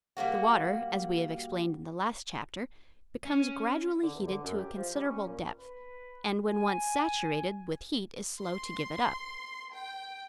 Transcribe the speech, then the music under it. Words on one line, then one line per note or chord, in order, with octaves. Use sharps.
The water, as we have explained in the last chapter, becomes gradually heated to a considerable depth, and when once saturated with heat is slow to give it up.
G3 G#3 A#3 F#4
C#4
D3
E2
D3
F#2
G4
F3
G3
C#4
A#2
B4
G#5
C6
G5